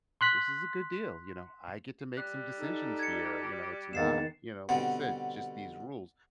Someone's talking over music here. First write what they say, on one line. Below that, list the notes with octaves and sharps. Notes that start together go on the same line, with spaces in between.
This is a good deal, you know? I get to make some decisions here, you know? It's not, you know, like said, just these rules
C6 F#6 B6
G3 F#6
D#4 A4
G#6 C#7
E2 D#3 G#3 A#3 B3 A6 C7 E7
B2 D3 G3 B3 C4